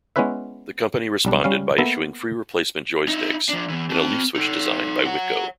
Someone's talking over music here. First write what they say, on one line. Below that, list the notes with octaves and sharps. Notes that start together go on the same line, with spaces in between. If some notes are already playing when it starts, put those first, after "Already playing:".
The company responded by issuing free replacement joysticks in a leaf-switch design by Wico.
G#3 B3 C#4 E4 B4 E5
B1 G3 D4
G3 C#4 F5
A#3 B3 A4 E5
D#4 E4
F3 D4
E2 E3
C4 A5
D#4 A4
C#5 F#5